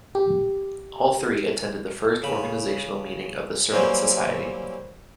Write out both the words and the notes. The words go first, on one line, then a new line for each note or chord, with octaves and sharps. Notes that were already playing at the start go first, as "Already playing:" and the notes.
All three attended the first organizational meeting of the Serpent Society.
G4
C#3 B5
E3 F#3 G3 A#3 C4 C#4